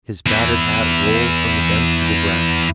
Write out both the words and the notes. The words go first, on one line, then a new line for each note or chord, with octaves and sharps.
His battered hat rolled from the bench to the ground.
E2 E3